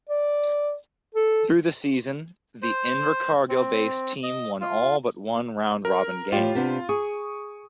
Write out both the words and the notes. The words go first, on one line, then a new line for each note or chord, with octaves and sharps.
Through the season, the Invercargill based team won all but one round robin game.
D5
A4
C5
C4
D#5
F4
A#4
A2 F4 G4
C3 B3 D4
G#4 C#6 D#6